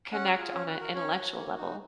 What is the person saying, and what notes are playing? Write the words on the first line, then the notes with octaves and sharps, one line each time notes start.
connect on a intellectual level.
C#4 F#5
F4 G#4
C#4 C#5
B4
F#4
A#4
C#4 C#5
F#4
A#3
D#4 F#4